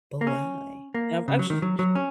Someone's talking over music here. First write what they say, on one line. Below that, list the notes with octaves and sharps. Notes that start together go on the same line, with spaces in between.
"But why?" And I've actually
A#3
C#4
A#3
C#3
F#3
D#3
F#3
F#3
C#4